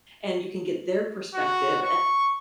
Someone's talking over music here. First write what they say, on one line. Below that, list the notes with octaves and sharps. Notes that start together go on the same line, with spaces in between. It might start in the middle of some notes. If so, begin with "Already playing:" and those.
and you can get their perspective and
F#4
C#6